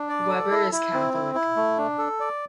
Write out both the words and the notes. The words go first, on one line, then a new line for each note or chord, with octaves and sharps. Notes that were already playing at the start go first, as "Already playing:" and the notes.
Webber is Catholic.
Already playing: D4
D5
A4
E4
E4
C4
E4
E4
A3
D4
A4
D5